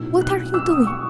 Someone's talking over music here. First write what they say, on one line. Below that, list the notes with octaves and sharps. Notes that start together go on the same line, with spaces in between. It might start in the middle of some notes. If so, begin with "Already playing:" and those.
"What are you doing?"
Already playing: B1 A2 F#3 E6
F#6
E6
D#6
C#6